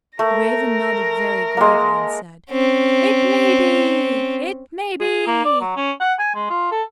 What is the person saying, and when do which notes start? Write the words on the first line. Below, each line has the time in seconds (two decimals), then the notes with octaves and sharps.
The Raven nodded very gravely, and said, "It may be--it may be!"
0.19 A3 A#4 A#6
1.57 G#3 A#3
2.50 C4 C#4
5.00 G#4
5.27 A#3
5.45 D5
5.60 F#3
5.76 C#4
6.00 F#5
6.19 G#5
6.35 G#3
6.50 F4
6.71 A4